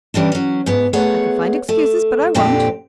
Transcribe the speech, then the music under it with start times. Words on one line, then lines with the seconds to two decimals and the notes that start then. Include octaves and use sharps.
I could find excuses, but I won't.
0.14 E3 G3 C#4 D4
0.32 F#3 C#4
0.66 G#2 B3
0.93 A3 B3 G#4 C#5 F#5
1.69 A3
2.34 F2 A#2 D3 C4 G4